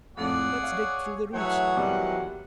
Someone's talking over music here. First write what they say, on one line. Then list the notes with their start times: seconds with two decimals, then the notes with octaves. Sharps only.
Let's dig through the roots.
0.17 F2 A2 G#4 D5 F#5
0.63 C#5 F5
1.33 E3 F#3 A3 G#4 C#5 F#5
1.77 B2 D#3 G3 G#3 D6